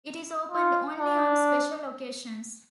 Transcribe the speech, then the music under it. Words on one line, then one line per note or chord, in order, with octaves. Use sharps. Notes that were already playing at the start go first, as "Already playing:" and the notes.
It is opened only on special occasions.
F4
D4